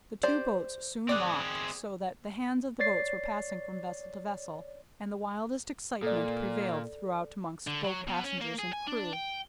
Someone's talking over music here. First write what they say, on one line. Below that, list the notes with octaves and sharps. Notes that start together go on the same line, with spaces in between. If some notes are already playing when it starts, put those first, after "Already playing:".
The two boats soon locked, so that the hands of the boats were passing from vessel to vessel, and the wildest excitement prevailed throughout amongst both passengers and crew.
G4 C5 D5
C4 G#4 D5 F#6
C#5 D5 A6 C7
A#2 A4 D5
D3
F#3
B2
C#4
A#3
G#4
G#5
D4
G5